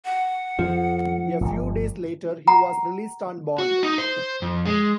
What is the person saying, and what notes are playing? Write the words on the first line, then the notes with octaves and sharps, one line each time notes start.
A few days later, he was released on bond.
F#5
F2 F3
D1 G1
F#5 A#5
F#4
D#4
C5
F2
G#3